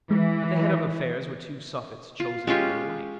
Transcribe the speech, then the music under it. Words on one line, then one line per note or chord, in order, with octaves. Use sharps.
At the head of affairs were two suffetes chosen for life.
E3 G#3
F4
G#3 C#4 F4 G4